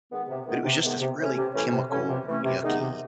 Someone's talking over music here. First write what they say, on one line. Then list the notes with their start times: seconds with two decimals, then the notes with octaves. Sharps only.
but it was just this really chemical yucky
0.11 D#3 G#3 B3
0.28 C3
0.47 D#3 G#3 B3
0.64 C3
0.82 D#3 G#3 B3
1.00 C3
1.19 E3 A3 C#4
1.36 C3
1.54 E3 A3 C#4
1.71 C3
1.90 E3 A3 C#4
2.07 C3
2.26 E3 A3 C#4
2.44 C3
2.62 D#3 G#3 B3 D#4
2.79 C3